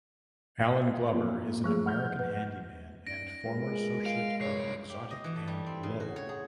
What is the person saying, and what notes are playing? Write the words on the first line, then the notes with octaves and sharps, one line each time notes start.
Allen Glover is an American handyman and former associate of Exotic and Lowe.
F2 A#2
F3 A3 G#4
F#5 F6 G6
B4
C#4 D#4 D5 A#6 D7
G#3 F4 A#4 B4
F5 D7
C2 C#5 C7
G4
D#5
E3
A3
G3
C4
C#3
F#4
C#5
G#4